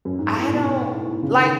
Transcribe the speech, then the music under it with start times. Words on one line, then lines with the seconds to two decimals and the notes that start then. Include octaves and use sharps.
I don't like,
0.05 F#2
0.19 G#2
0.36 A2
0.53 B2
1.22 C#3
1.39 D#3